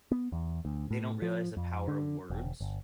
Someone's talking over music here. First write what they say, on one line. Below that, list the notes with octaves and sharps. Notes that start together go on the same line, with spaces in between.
they don't realize the power of words,
B3
E2
D2
A2
F3
F2
D3
E1
G1